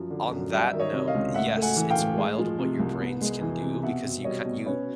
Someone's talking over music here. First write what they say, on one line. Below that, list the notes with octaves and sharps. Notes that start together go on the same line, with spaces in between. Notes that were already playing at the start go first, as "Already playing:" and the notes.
on that note, yes, it's wild what your brains can do because you ca you
Already playing: F#2 F3
D3
F#2
G3 D5 E5
D#3
C#5 D#5
C3
D#5 F5
C#2
A2 E5 F#5
A3
F#5 G#5
E3
F5 G5
A2
G#3
F3
C3
C2
B3
G#3
E3
C3
B2 E5 F#5
C4
G3 C#5 D#5
B2
C#4 B4 C#5